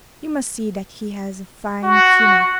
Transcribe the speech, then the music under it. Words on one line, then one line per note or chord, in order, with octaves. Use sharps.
You must see that he has a fine funeral.'
F#4